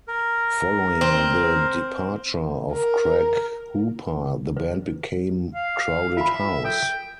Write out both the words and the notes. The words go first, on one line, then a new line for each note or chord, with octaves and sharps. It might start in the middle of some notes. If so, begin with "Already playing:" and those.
Following the departure of Craig Hooper the band became Crowded House.
A#4
C4
A#4
B4
F5
F4 E5 B5
A4 G5